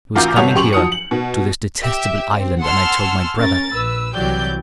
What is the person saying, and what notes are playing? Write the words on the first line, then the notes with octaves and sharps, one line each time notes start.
I was coming here to this detestable island, and I told my brother.
A1 F4 F#4 A#5 D6 G6
G1 B2 G3 C#5 F#5 F7
F#2 G4 C6 C#6 F7 F#7
F3 F#3 D#6 C#7
F#7
B2
G4 E5
C4
F#5 G#5 A5 C6 E6 F6
C#4 A#4 A6
A#1 B4 E6
C2 E3 F#3 G4 D5 G6